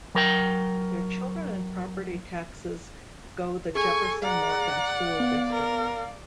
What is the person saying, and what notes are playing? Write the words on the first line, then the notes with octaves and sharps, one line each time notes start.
Their children and property taxes go the Jefferson Morgan school district.
F#3 A#4 G5
G#4 A4 G#5 C#6
D5 F#5 A#5
B3 F5
A#4